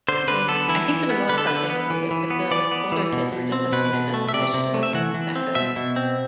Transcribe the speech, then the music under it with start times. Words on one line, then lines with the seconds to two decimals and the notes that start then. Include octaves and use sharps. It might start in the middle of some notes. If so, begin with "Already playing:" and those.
then I think for the most part, they enjoyed it, but the older kids were disappointed that the fishing wasn't that good.
0.09 D3 C5
0.28 D3 B4
0.48 B3 A4
0.68 E3 E4
0.89 E3
1.10 B3
1.29 D3 B4
1.38 A4
1.47 D3 B4
1.70 B3
1.90 E3
2.11 E3
2.30 B3
2.51 E3 D5
2.71 B3
2.92 E3
3.13 B2
3.32 B2
3.52 C4
3.72 B2 B4
3.93 B2
4.14 A3
4.29 E5
4.34 C3 D5
4.54 C3
4.74 A3
4.83 E5
4.94 E3 F#5
5.14 E3
5.36 C4
5.55 B2 E5
5.76 B2
5.96 C4